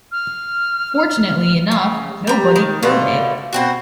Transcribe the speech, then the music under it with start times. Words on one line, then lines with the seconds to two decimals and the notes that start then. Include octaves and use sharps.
Fortunately enough, nobody heard it.
0.12 F6
1.72 C#3
2.27 G3 A#5
2.56 D#3
2.83 B2 D3 A3 F4
3.53 B2 C4 F#4